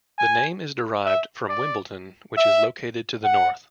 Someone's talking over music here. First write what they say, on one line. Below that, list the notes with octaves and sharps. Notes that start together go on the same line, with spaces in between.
The name is derived from Wimbledon, which is located to the North.
G#5
E5
D5
E5
F#5